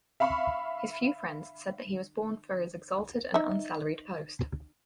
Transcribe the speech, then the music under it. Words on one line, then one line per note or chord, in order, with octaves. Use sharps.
His few friends said that he was born for his exalted and unsalaried post.
E5 F5 B5 C#6
D#4 E5